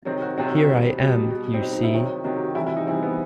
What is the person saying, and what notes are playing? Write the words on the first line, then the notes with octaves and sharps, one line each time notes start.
Here I am, you see!
C3 D#3 F#3 C4
F#4
C3 D#3 F#3 C4
B2 G3
B2 G3
B2 G3
C4
B2 G3 D#4
D#4
E4
C3 D#3 F#3
C3 D#3 F#3 F#4
G4
F#4
C3 E3 G3 E4
E4
D#4
C3 E3 G3 C4
B3